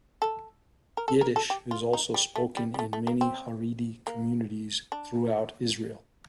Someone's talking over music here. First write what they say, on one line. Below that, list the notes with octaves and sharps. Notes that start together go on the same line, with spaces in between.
Yiddish is also spoken in many Haredi communities throughout Israel.
A4
A#4
A4
A#4
A4
G4
F4
D#4
G3
A3
G3
G3
A3
A3
A#3
C4
A#3
D4